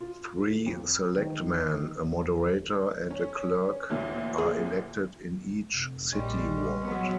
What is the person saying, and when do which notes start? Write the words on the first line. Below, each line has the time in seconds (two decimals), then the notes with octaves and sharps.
Three selectmen, a moderator, and a clerk are elected in each city ward.
0.01 F4
0.66 F2
1.17 D#3
3.11 C#4
3.90 A1 D2 A#2
4.38 G#4
5.73 F1
6.12 A#1 G3 G#3 C#4
6.82 F#3 B3